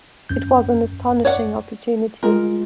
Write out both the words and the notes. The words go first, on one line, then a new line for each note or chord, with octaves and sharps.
It was an astonishing opportunity.
G#1 F#2 G6
C#5 D5 F#5
G#3 F4 A#4